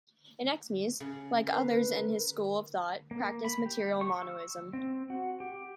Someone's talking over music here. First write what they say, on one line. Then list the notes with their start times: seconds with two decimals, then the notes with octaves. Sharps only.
Anaximenes, like others in his school of thought, practiced material monism.
1.00 C#3
1.47 A#4 B4 F5
3.11 A#3
3.45 B5
3.66 G4
4.01 C#6
4.22 E6
4.73 C4
5.10 F#4
5.40 G4